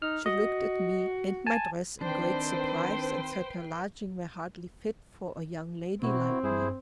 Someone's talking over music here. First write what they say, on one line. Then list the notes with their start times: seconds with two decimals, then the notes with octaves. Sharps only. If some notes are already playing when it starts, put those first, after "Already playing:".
She looked at me and my dress in great surprise and said her lodgings were hardly fit for a young lady like me.
0.02 D#4 F6
0.26 F#4 D#5
1.47 G#5 A5
2.01 D#3 C4 D4 B4 C5 G5 C7
6.03 B2 C4 E4 F#4
6.43 G2 E4 G#4 C5